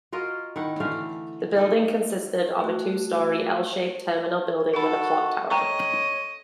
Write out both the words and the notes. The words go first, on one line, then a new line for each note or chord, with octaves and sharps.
The building consisted of a two-storey L shaped terminal building with a clock tower.
F4 F#4 A#4 D#5
D#3 E4 F#5
D3 E3 A3 F5
D#4 A4 D5 D#5
A3 F#4
D#4 F#4 A4 B5
C#5 D#5 G5 A#5 C#6